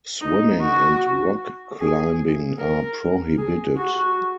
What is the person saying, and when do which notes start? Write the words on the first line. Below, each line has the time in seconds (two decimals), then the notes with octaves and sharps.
Swimming and rock climbing are prohibited.
0.21 D#4
0.61 F#4
1.80 G#4
2.58 A#4
3.38 G#4
3.77 F#4